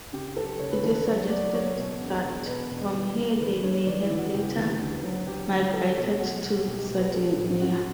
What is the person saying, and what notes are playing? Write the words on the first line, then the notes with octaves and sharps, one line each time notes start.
It is suggested that from here they may have later migrated to Sardinia.
C#3 G4
F#2 A4
F#1 C#5
B4
E3 A4
B4
F#3 C#5
F#3 D5
F#3 C#5
B2
E1
E1
B2 B4
E1
E3
E3
E3 B4
G2 C#5
E3 D5
E4
E3
F#4
F#1 G4
E3
D2
F#3
F#3 G4
D2
F#3 A4
B2 C#5
F#3 F#4
B2
B1 G4
G4
B1
B4
F#3 A4
A2
F#2 F#4